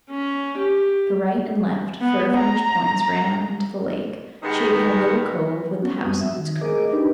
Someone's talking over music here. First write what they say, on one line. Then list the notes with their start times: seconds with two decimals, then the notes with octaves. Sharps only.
To right and left fir-fringed points ran out into the lake, shaping a little cove with the house in its curve.
0.10 C#4
0.59 G4
2.02 B3
2.38 A#5
4.43 E2 C3 D#3 G#3 B3 D#4
5.82 B3 C#4 F#4
6.04 F#2 G3 C4 D#6
6.21 F#4 E5
6.38 D#3
6.61 G#4 A#4 D#5 D6
6.92 D4 D#4 G4 B4